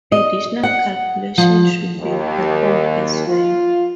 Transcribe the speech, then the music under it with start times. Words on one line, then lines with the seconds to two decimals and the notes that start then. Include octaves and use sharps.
Additional calculations should be performed as well.
0.12 D#5
0.63 F#5
1.38 F3
1.99 D#2
3.27 F4